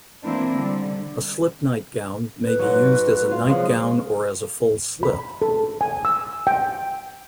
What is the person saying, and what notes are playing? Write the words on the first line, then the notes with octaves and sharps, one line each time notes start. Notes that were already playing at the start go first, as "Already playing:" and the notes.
A slip nightgown may be used as a nightgown or as a full slip.
E3 A#3 C4 D4 E4
D3 G3
B4
G#2 F#3
F4
F3 F#3 G#3
B5
A4
G#5
E6
G5